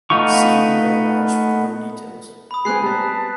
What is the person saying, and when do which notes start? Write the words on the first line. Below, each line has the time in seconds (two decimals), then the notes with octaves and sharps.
See Railwatch for more details.
0.10 A3 B3 D#4 F4 C#6
2.51 B5 D#6
2.65 G#3 B3 C4 G#5 D#6 F#6 C7
2.82 G3 B4 A5 A#5